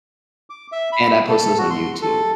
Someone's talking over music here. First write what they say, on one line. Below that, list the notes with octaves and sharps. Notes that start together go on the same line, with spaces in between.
and I post those on YouTube,
D6
E5
B5
A4
F#4
C6
A4